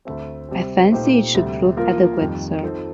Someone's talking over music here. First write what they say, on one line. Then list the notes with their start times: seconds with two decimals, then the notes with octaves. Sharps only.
I fancy it should prove adequate, sir.
0.05 D2 D3 A3 C4
0.49 C3 G3 C4
0.92 A#2 A3 D#4 G4 C5
1.34 D2 C3 G3
1.77 F3 A#3 F4 A#4
2.20 F2 D#3 G3
2.62 F3 C4 D#4 A4 C5